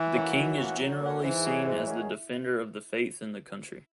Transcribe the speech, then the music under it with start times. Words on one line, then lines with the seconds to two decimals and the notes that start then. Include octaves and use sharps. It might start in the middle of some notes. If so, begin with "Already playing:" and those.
The king is generally seen as the defender of the faith in the country.
Already playing: E3
0.14 A#3 C#4 F#4
0.36 F#3
0.58 A#3 C#4 F#4
0.79 F#3
1.01 A#3 C#4 F#4
1.23 G#2 E3
1.44 D#3 F#3 C#4 G#4
1.66 G#2
1.87 D#3 F#3 C#4 G#4